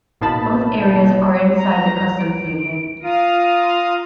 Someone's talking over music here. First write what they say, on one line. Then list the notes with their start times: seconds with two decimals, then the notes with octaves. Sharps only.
Both areas are inside the customs union.
0.21 A1 B2 A#3 D#4 A5 B5
1.58 A#5
2.19 D7
3.03 F4 F5 A#5 D#6 D#7
3.62 C6